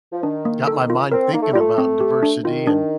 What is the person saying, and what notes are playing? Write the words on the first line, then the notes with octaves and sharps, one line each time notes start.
got my mind thinking about diversity and
F3
D#3 D4
A#3
A4
F4
C4 A#4
A#3 D#4
A3
G3
A3 F4
C4
G4
D4
D#3 F4
D4